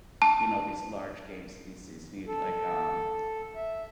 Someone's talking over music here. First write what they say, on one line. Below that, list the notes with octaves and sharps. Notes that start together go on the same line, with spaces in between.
you know, these large game species need, like, um,
A5
A4
E5